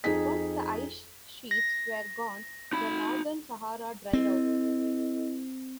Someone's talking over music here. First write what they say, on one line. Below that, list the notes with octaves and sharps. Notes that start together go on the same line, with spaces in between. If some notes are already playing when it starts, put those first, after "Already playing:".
Once the ice sheets were gone, the northern Sahara dried out.
F2 D#4 G#4 B6
A#6
D#4 B5
C4 E4 A4 D#5